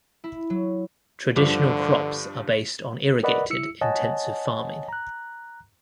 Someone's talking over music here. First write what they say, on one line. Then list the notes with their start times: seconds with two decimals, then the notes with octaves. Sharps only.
Traditional crops are based on irrigated, intensive farming.
0.24 E4
0.50 F#3
1.36 G2 D3 F3 D6
3.23 A#4 B4 D5 D#5 F#5 B5
3.50 E4 E6 C#7
3.81 C#5 D#5 F#5 G#5 A5
4.89 A#5 F#6